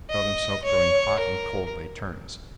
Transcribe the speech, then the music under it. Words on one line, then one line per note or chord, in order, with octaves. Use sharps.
He felt himself growing hot and cold by turns.
D#5
C#5
A#4